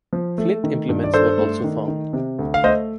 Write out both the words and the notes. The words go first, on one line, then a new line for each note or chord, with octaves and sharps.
Flint implements were also found.
F3
A3
D#3
G2
D5
D4 A4 C5
A3
D#3
D#3
C3
D2
F5
A3 C5 D#5